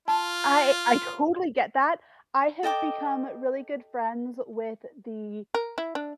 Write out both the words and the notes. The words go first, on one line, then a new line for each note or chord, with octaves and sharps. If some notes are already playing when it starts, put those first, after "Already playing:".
I I totally get that, I have become really good friends with the
F4 A5
A4 D#5 G5 D6
A#4
E4
D4